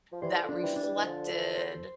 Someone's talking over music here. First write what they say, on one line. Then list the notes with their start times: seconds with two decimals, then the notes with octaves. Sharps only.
that reflected
0.12 F3
0.22 E3 G3 C5
0.43 D3 F3
0.49 D4
0.62 E3 G3
0.76 D4
0.83 E3 G3
0.94 E3
1.03 D3 F3 A4
1.30 A4
1.58 C5